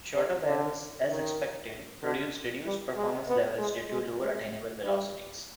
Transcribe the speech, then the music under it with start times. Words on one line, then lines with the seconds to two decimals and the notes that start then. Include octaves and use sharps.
Shorter barrels, as expected, produced reduced performance levels due to lower attainable velocities.
0.14 C3
0.45 D3
1.09 D#3
2.02 D3
2.65 G3
2.96 G#3
3.27 B3
3.59 G#3
3.90 G#3
4.21 G#3
4.84 G3